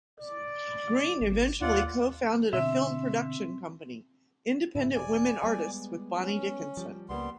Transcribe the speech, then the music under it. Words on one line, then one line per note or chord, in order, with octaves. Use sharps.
Green eventually co-founded a film production company, Independent Women Artists, with Bonnie Dickenson.
D5
G#1
D#2 F4 D5 F#5
B2 D3 C4 E5
G#2 C#3 E4
E1 D5 G#5
G3 G#3 B3
C#4
F3 G3
C#2 G3 G#3 A#3 B3 C6